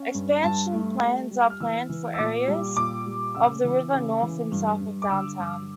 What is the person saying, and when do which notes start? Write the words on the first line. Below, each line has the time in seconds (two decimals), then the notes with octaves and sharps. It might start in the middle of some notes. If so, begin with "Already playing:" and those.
Expansion plans are planned for areas of the river north and south of Downtown.
Already playing: C#4
0.14 G2
0.43 G2 A5
0.72 A3
1.02 G3
1.31 G3
1.50 F6
1.60 E3 E6
1.89 E3
2.14 E6
2.18 A#2 D6
2.47 G3
2.76 A#2 D6
3.06 G3
3.35 C#3 E6
3.64 E3
3.93 C#3
4.22 E3
4.52 G2
4.81 G2
5.02 D6
5.10 D3 E6
5.39 G2